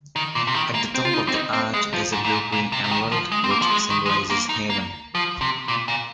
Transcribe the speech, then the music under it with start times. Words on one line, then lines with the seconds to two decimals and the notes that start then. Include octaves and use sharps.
At the top of the arch is a blue-green emerald, which symbolises heaven.
0.16 D#3
0.35 A#2
0.47 C3
0.55 D#3
0.75 A#3
0.94 C4
1.05 F4
1.14 D#4
1.28 C4
1.34 D#4
1.53 C4
1.74 G#3
1.94 F3
2.13 G#2
2.25 A#2
2.32 G#2
2.52 A#2
2.72 C3
2.84 C3
2.91 D#3
3.12 F3
3.32 G#3
3.44 C4
3.50 A#3
3.62 F3
3.71 G#3
3.90 D#3
4.06 G#3
4.09 F3
4.30 A#3
4.49 D#4
4.70 A#3
5.15 F3
5.41 C3
5.68 A#2
5.88 A#2